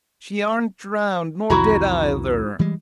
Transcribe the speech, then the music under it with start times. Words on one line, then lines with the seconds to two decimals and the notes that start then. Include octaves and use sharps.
She arn't drowned; nor dead eyther!
1.50 C2 F2 D#3 E4 F#4 A#5
2.59 E3 G3 G#3